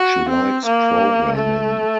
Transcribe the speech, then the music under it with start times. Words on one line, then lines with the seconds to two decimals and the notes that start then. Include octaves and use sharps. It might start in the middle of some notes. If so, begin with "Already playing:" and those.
She likes programming.
Already playing: F#4
0.29 C4
0.65 A#3
1.35 A3